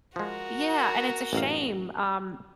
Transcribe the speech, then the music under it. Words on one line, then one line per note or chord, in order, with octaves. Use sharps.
yeah, and it's a shame, um,
F3 G#3 F#4 A#4
A1 F#2 F5